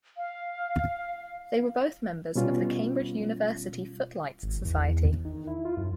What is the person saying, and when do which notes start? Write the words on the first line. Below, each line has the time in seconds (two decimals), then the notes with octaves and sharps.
They were both members of the Cambridge University Footlights society.
0.17 F5
2.35 B2 G3 C#4 F4
4.43 G#1
4.65 E2
5.25 D#3
5.47 E4
5.65 F4
5.77 F#2